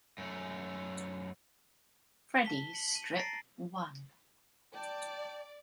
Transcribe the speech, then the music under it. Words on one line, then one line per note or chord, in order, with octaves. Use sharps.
Freddie's strip won.
F#2 A3
A5 B6 G7
F#7
D#7
A5 A#5 A6 A#6 C7 D7
D5 G5 A5